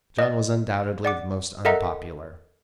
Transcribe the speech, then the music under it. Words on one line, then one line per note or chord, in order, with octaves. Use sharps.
John was undoubtedly the most unpopular.
D5 D#5
D5 F#5 D6
A4 A#4 D#5 E5 F#5 A#5